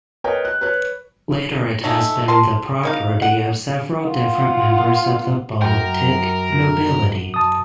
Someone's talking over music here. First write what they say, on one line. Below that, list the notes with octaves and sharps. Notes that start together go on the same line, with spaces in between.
Later it has been the property of several different members of the Baltic nobility.
A#4 B4 C#5 D#5 G5
F#6
B4 C#5 F#6
A3 C#4 D#4
A#4 A5 C6
A#3 D#4 F5
F#5
F4 F#5
F#2 A#4 G5
A5 D#6